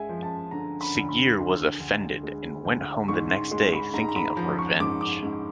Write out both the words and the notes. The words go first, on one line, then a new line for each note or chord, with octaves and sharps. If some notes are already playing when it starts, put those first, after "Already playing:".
Siggeir was offended and went home the next day thinking of revenge.
Already playing: G#3 E5 G#5
F3
A5
D3 A#5
B5
D2
B5
D3 C6
D2
G#3
D2
G#2 C#6
C6
G#3 C6
B5
G#2 A#5
A#5
B5
F3 A#5
C#6
G#2 D6
D6
G#2